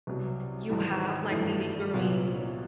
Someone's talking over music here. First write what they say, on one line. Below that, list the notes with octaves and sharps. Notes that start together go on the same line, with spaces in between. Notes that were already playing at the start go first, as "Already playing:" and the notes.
you have like lingering,
C2 B2 F#3
G#1 G#2 E3 G3
G#1 G2 E3 A3
C2 A#2 F#3 B3